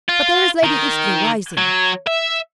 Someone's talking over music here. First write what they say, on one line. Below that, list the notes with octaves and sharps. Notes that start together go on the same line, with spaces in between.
But there is Lady Eastleigh rising.
F4
D#3
F#3
E5